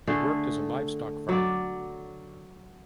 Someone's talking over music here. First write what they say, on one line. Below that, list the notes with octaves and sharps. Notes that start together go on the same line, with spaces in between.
He worked as a livestock farmer.
D3 A3 G#4
F#3 D5